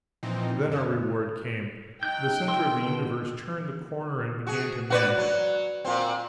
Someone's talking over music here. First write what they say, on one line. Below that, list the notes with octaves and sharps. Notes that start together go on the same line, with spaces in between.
Then our reward came: the center of the universe turned the corner and began to mend.
A#2 E3 F3 C4 D#4
F#2 C#4
F#3 D#4 G5 F#6 G6
A#4 C6 E6
B2
F#4 G#4
F#4 B4 D5
F#3
A#2 C4